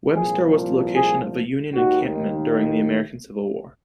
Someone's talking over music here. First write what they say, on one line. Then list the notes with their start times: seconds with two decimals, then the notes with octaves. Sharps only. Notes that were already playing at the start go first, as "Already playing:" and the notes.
Webster was the location of a Union encampment during the American Civil War.
0.15 C2 A#2 F3 G#4
0.94 G#4
1.73 D#2 D#3 F#4